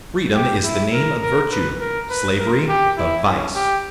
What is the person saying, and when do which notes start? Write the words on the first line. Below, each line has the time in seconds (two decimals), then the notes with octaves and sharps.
Freedom is the name of virtue: Slavery, of vice. . . .
0.35 G4
0.64 E4
0.93 A#4
1.22 A#4
1.52 B4
1.80 A#4
2.10 B4
2.39 A#4
2.68 G4
2.97 E4
3.26 C#4
3.55 G4